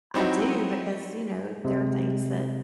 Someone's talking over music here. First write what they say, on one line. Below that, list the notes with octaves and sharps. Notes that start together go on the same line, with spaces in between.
I do because, you know, there are things that
F#3 C4 D#4 E4 F#4
C3 G#3